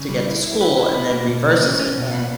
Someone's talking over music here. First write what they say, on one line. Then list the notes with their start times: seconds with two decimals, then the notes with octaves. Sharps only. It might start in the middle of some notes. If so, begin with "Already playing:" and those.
to get to school and then reverses it and
Already playing: C#3
0.09 G3
0.27 E4
0.44 E4
0.61 B4
0.77 E4
0.94 B4
1.11 A#3
1.28 B2
1.46 A#3
1.62 C#4
1.79 C#4
1.97 B2
2.14 B3